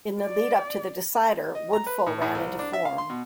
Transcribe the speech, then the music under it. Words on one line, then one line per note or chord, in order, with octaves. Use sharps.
In the lead-up to the decider, Woodfull ran into form.
D5
D#5
A#5
B4
A2
A2
C2
D4
E5
F5
C6
B2